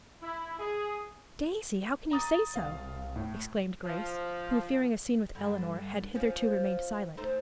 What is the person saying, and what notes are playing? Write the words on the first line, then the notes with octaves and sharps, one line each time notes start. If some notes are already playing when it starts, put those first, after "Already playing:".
"Daisy, how can you say so?" exclaimed Grace, who, fearing a scene with Eleanor, had hitherto remained silent.
E4
G#4
A#5 D#6 A6
C2 F5
A2
F3
G2 D3
F3 C#4
A3 D#4 C5